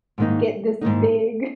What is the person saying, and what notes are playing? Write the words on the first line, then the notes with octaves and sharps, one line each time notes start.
get this big,
G#2 D#3 A#3 D#4
G#2 D#3 A#3 D#4